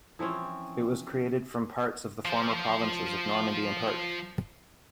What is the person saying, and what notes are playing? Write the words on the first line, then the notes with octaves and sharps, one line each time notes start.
It was created from parts of the former provinces of Normandy and Perche.
E3 F3 C4 C#4
F3 C5